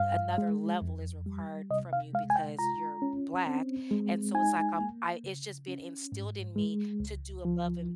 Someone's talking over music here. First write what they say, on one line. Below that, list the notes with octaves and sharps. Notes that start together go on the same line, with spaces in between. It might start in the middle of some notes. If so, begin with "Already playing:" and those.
another level is required from you, because you're black. And so it's, like, I'm I it's just been instilled in me to do above and
Already playing: G2 F5
G#3
F2
G3
C3 D#5
F5
G#3 F5
G#5
G5
F4 A#5
C#4
C4
G#3
D#4 G#5
A#3
C#3
C#4
G#2
G#3
C#2
F3